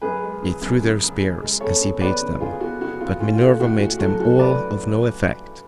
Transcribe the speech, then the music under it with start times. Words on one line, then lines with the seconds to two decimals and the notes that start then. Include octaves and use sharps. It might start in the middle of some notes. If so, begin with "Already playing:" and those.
They threw their spears as he bade them, but Minerva made them all of no effect.
0.02 F#2 G#4 B4
0.22 G#3
0.42 C#3
0.61 F#2
0.82 C#3
1.01 C#3
1.22 C#3
1.42 G#3
1.61 B3 A4 C#5
1.81 C#3
2.01 B3 B4 D5
2.21 C#3
2.40 C#3 F4 G#4
2.60 B3 F#4
2.81 C#3 F#4
3.00 C#3 F4
3.20 C#4 F4
3.34 F4
3.40 A3 F#4
3.60 A2 F#4
3.80 C#4 F#4
3.99 F#3 F#4 A4
4.20 C#4 F#4 A4
4.39 A2 B4 D5